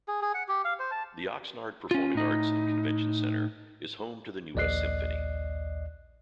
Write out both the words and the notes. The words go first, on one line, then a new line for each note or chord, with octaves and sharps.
The Oxnard Performing Arts and Convention Center is home to the New West Symphony.
G#4
G#4
F#5
G4
F5
C5
A5
C#4 F4
A2 D#4
A#1 D#2 D5 D#5 F#6 C7